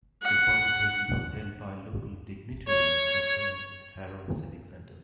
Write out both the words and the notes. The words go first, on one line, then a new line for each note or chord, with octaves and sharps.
A further vigil was held by local dignitaries and friends at Harrow Civic Centre.
F#5
C#5